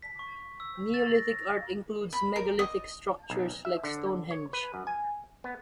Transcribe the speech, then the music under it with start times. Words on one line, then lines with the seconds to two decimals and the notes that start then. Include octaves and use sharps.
Neolithic art includes megalithic structures like Stonehenge.
0.02 B6
0.19 C#6
0.60 E6
0.94 A6
1.15 A#6
2.13 B5
2.36 A#4
2.59 D#5
3.30 B1
3.65 E5
3.84 D3
4.31 C#5
4.53 B4
4.74 F#2
4.87 G#5
5.44 B3